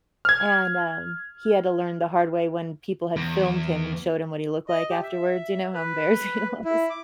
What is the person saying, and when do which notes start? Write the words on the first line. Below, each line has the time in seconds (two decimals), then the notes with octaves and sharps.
and, um, he had to learn the hard way when people had filmed him and showed him what he looked like afterwards, you know how embarrassing it was.
0.25 F6 G#6
3.16 E2
4.68 D#5
4.90 G4
5.02 E5
5.74 B4
6.64 E4
6.90 D6